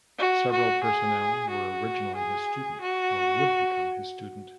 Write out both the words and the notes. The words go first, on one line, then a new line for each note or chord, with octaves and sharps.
Several personnel were originally his student or would become his student.
F#4
F#4
G#4
F#4
G#4
F#4